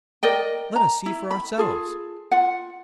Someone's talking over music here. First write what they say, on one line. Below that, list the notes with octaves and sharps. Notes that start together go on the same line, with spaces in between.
"Let us see for ourselves."
A#4 D5 D#5 G5
A#5
E4
B5
F4 G#4 A4
F4 F#5